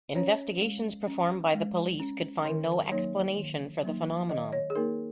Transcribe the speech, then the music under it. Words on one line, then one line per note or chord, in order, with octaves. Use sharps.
Investigations performed by the police could find no explanation for the phenomenon.
C#4 C#5
G#3
C#4
G#3
C#4
D#3 A#4
F#3 A#3 D#4 C#5
D#3
F#3 A#3 D#4
D#3 D#5
C#5
G#4
A#3 D#4 A#4